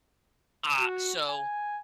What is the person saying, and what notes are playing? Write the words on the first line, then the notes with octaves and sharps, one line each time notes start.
Ah, so,
F#4
G#5